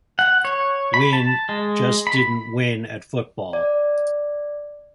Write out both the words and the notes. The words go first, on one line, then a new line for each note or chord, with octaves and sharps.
"Win" didn't just win at football.
F#5
C#5
B5
A5
G#3
B5
D5